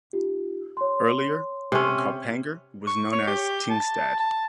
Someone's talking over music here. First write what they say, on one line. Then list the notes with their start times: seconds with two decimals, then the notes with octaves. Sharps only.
Earlier, Kaupanger was known as Tingstad.
0.13 D#4 F4 G4
0.77 C#5 C6
1.72 C3 C#4
2.87 C#6
3.13 C#5
3.27 G4
3.70 A5
4.20 A5